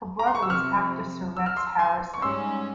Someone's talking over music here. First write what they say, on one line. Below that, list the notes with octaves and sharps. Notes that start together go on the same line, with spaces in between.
Her brother was actor Sir Rex Harrison.
A#5
C6
C#6
E6
C3 F3 C4 C#6 F6
E6
F6
C6 E6
G#5 C6
C#6
G#2 G3 C#4 C6 E6